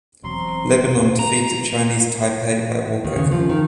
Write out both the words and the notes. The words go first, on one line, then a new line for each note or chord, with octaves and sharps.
Lebanon defeated Chinese Taipei by walkover.
E1 F#3 C4 A#5 C6
A#5
D#2
C#3
F3
D#3